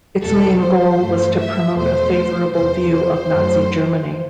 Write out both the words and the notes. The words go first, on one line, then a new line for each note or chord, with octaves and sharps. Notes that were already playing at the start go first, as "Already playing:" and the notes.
Its main goal was to promote a favorable view of Nazi Germany.
E2 B2 G3 A4
C5
G2 E3 A3
E5
E2 B2 A3 C5
E2 C3 E3 C5
C5
F#2 F#3 A3